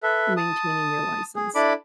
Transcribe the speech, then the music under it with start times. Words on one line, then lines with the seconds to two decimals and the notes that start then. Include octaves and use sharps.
maintaining your license.
0.03 A4 B4 E5
0.37 A5 D#6
1.36 G#4
1.55 D4 E4 A4 D5 B5 D6